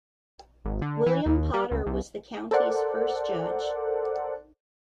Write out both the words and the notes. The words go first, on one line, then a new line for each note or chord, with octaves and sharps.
William Potter was the county's first judge.
G#1
D3
E3
D#2
G3
C#2
C2
A4 A#4 C5 D5 F#5